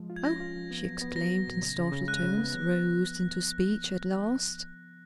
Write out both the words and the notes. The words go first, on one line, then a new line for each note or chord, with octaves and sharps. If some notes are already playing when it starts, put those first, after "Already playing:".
"Oh!" she exclaimed in startled tones, roused into speech at last.
Already playing: F3 G#3
F4
G#6
C#4 A#6
F4
F3
B3
F#3
B3
F#3 A#6
F#4
A#2
C#3
C#3
C#3
G#3 F#6
C#3
B3
F3